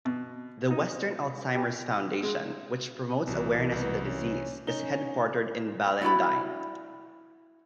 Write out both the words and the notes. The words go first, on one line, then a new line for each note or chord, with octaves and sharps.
The Western Alzheimer's Foundation which promotes awareness of the disease is headquartered in Ballindine.
B2
D#4
G4
G#3
C2 B2 E3
C2 B3
C#4
C#4 D#4 G7
E4 F#4 D5 B5